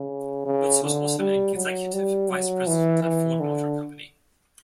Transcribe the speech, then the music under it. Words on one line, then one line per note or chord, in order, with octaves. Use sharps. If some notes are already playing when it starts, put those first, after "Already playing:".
Lutz was also an Executive Vice President at Ford Motor Company.
Already playing: C#3
C#3
D3
G3
F#3
G3
F#3
E3
E3
D3